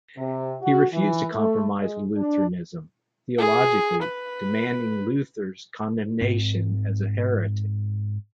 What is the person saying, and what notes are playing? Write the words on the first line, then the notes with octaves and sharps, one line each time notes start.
He refused to compromise with Lutheranism theologically, demanding Luther's condemnation as a heretic.
C3
F#4
E3
A3
G#3
D4
G#4
B4
G#2 C4